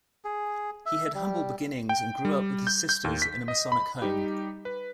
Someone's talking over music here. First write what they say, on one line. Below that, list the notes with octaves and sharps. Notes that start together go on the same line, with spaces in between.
He had humble beginnings and grew up with his sisters in a Masonic home.
G#4
E5
G3
G5
G3
G6
G6
D#2
B6
D#5
B5
G3 D#4 G4
B4